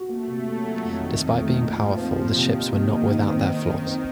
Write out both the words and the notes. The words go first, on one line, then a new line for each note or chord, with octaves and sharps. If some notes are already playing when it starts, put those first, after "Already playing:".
Despite being powerful the ships were not without their flaws.
Already playing: F#4
A3 A#3
C3
F#3 A#3
F4
F2 D#3
A3
F2 D#3
A3
A#2 F3
A#2
C4
A#2
C3 D#3
C3
A#3
A#3
D#3 D#4
C4
C4
F#2
C4